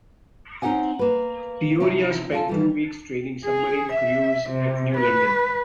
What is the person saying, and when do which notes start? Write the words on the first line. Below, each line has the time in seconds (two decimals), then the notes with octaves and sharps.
"Peoria" spent two weeks training submarine crews at New London.
0.62 C4 C#4 D#4 G4 F#5 G#5
0.99 A#3 B4
1.80 C3 F3 C#4 D#4 E4
2.31 C#4 F4 F#4 A4
2.49 E3 G3
3.45 G#4
3.93 E5
4.50 C3
4.97 B4